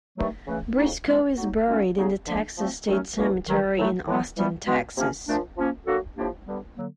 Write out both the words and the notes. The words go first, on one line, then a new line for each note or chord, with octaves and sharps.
Briscoe is buried in the Texas State Cemetery in Austin, Texas.
G2 D#3 F#3 A3
C#3 E3 A3
F2 C#3 F#3 A#3 D#4
E3 G#3 C4
F#3 A#3 D#4
F#2 D#3 G#3 C#4 F4
C#3 F#3 B3 D#4 G#4
D3 F3 A#3 D4
F3 A3 C4
F#2 D#3 F#3 A3 C#4
E2 B2 F#3 A#3 C#4
G2 D#3 F#3
A2 F#3 A3
A2 E3 G#3 B3
E3 G3 B3
B2 G#3 B3
C3 F3 A#3 C#4
A#2 F3 A3 D4
F3 A#3 C#4
F#3 A#3 D4 F#4 A4
A2 F3 A#3 D4 G4
G2 D3 G3 B3
D3 F#3 A#3